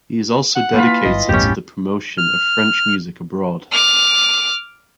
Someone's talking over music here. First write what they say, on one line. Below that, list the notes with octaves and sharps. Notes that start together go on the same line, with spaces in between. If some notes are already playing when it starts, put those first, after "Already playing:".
He is also dedicated to the promotion of French music abroad.
F#5
E3 A#3 F4 B5
G1 D#5
A1 E2 G2 C#4 G4
F6
D6 F6